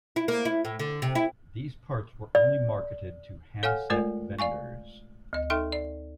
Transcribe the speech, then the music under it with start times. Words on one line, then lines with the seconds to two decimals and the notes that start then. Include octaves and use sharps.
These parts were only marketed to handset vendors.
0.16 E4
0.28 A#3
0.45 E4
0.65 A2
0.79 D3
1.02 C3
1.15 E4
2.35 D5
3.63 A4 C#5 F5 F#5 G#5 F6
3.90 G#3 A3 F4 A#4 D5 G#5
4.39 D5 F5 G#5 C#6
5.33 D2 D#5
5.50 D#4 A4 E5 G5 C6 F6
5.72 D5